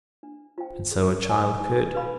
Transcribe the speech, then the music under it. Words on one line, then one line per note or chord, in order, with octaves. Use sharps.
And so a child could.
D4
F4 C5 G5
G#4
D5 G#5
D#4
B4 F5 B5